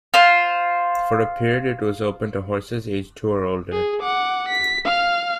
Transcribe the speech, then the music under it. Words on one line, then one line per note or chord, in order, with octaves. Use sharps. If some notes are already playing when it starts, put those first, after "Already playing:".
For a period it was open to horses aged two or older.
F4 C5
G#4
F#5 D6
B6
F5 F6